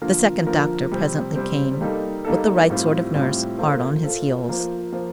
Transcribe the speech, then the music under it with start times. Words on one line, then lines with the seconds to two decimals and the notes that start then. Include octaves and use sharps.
The second doctor presently came, with the right sort of nurse hard on his heels.
0.02 D3 F3 A#3 F4 A#4
0.47 D3 F3 A#3 F4 A#4
0.91 C3 G3 C4
1.35 C3 G3 C4
1.81 G3 A#3 D#4 A4
2.25 G3 A#3 D#4 A4
2.70 A2 G3 C4 F4
3.14 A2 G3 C4 F4
3.58 A#3 F4 A4 C5
4.04 A#3 F4 A4 C5
4.48 F3 A#3 F4 C5
4.92 F3 A#3 F4 C5